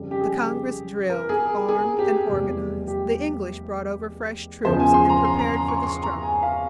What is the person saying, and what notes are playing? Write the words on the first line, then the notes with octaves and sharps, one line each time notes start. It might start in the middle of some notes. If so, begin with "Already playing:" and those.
The Congress drilled, armed, and organized; the English brought over fresh troops and prepared for the struggle.
Already playing: F2 C#3 G3
G4
G#4
A#4
G#4
G#4
G4
F1 E2 C3 G3
G4
E2 C#3 F3 C5
G#5
C6
A#5
C6
A#5
C6
C#6
C6
A#5
G#5
F5